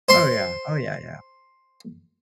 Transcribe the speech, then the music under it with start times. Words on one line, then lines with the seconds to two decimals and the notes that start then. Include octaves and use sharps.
Oh, yeah. Oh, yeah, yeah.
0.09 C5 C6